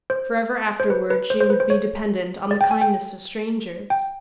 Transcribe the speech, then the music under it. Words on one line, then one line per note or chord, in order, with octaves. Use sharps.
Forever afterward she would be dependent on the kindness of strangers.
C5
C5
B4
B4
C5
C5
B4
C5
C#5
D5
G5
G#5
G5
G5